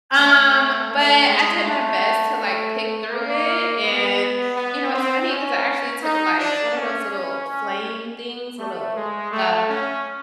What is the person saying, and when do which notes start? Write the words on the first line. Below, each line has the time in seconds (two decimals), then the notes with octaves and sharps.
Um, but I did my best to, like, pick through it, and, you know, it's funny 'cause I actually took, like, what are those little flame things, little, uh,
0.17 A3
0.91 A3
1.27 G#3
1.64 A3
3.10 A#3
3.84 B3
4.56 B3
4.93 C4
5.29 C#4
6.02 D#4
6.40 D4
6.76 C#4
7.13 C#4
8.59 A3
8.96 G#3
9.32 A3
9.69 C#4